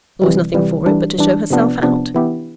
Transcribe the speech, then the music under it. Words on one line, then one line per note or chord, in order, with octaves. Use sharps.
There was nothing for it but to show herself out.
C3 E3 G3
C3 E3 G3
E3 G3 D4
E3 G3 D4
C3 F3 B3 D4
C3 F3 B3 D4
E3 B3 E4 G4